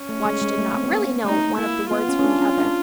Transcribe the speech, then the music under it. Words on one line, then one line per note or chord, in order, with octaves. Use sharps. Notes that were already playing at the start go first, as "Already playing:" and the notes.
Watch did not really know one of the words from the other.
Already playing: C#4
A3
G#3
G#3
A3
C4
B3
A#3
A3 D#4
A#3 E4
B3 F4
C#4
C#4
D4
C#4
D4